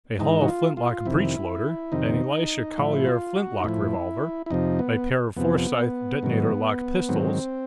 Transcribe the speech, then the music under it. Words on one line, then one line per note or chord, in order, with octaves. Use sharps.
A Hall flintlock breech-loader; an Elisha Collier flintlock revolver; a pair of Forsythe detonator-lock pistols....
G#2 E3 D#4
F#4
F4
F4
F2 C3 D#3 E4
F2 C3 D#3 D#4
A2 F3 E4
F4
F#4
D#4
A2 F3 E4
E4
F2 C3 F3 D#4
B3
F2 C3 F3 B3
G#2 D#3 F#3
G#2 D#3 F#3 C4